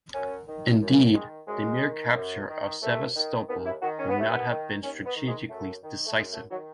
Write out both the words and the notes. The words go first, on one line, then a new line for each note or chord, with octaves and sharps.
Indeed, the mere capture of Sevastopol would not have been strategically decisive.
F#2 C#4
D#3
F#2
D#3 G#3
F#2 G#3
D#3
F#2
D#3
D#2 A3
D#3
D#2 B3
E4
D#3 F#4
C#4
B3
D#2 A3
B3
D#3
D#2 C#4
B3
D#3
G#3
F#2 A3
D#3
A3
F#2 G#3
A3
D#3 F#3